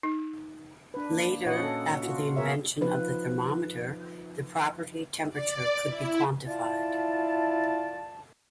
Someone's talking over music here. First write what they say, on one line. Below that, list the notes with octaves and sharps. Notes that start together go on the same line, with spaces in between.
Later, after the invention of the thermometer, the property temperature could be quantified.
D#4
D4 B4
A#3
A#2 F#4 C#5 D#5 F#5
C#4 A4
F4 F#4
B3 G#4 A#4 C#5 E5
F3 D#4 F4 B4
D5
E4
E4 F4 D5 A5